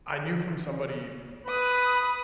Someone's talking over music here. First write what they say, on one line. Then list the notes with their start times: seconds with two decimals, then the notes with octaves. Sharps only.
I knew from somebody,
1.47 B4 B5 D#6